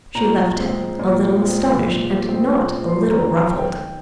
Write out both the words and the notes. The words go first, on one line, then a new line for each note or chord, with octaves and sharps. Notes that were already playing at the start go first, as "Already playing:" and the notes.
She left him, a little astonished and not a little ruffled.
A#2 A#5
G#3 C4
A#2
G#3 C4
A#2
G#3 C4
A#2
C6
G#3 C4 A#5
A#5
D#3 G5